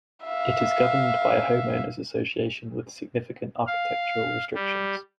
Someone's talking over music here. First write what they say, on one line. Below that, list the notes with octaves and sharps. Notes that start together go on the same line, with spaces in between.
It is governed by a homeowners association with significant architectural restrictions.
E5 F5
F5
G3